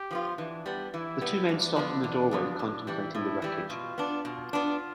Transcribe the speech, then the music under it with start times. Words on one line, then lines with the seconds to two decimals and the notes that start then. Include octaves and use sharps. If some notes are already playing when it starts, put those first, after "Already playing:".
The two men stopped in the doorway, contemplating the wreckage.
Already playing: G4
0.11 F3 B3 F4
0.38 E3 D4
0.66 G3 B3
0.93 E3 E4
1.21 G3 B3
1.48 E2 D4
1.76 D3 F3 B3
2.04 E2
2.31 D3 F3 B3
2.59 A2
2.87 E3 G3
3.15 A2 E4
3.42 E3 G3
3.70 B2 F4
3.98 B3 D4
4.25 B2 F4
4.53 B3 D4